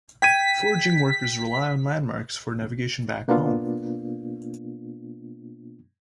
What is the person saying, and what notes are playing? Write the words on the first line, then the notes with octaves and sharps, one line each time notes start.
Foraging workers rely on landmarks for navigation back home.
G5 G#6 B6 D#7
B2 A#3 B3 D4 F4